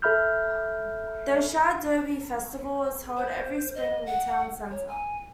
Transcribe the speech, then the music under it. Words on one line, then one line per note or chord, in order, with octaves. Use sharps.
The Shad Derby Festival is held every spring in the town center.
A4 E5 B5 F6 G6
C5
D#5
F#5
C#5
G#5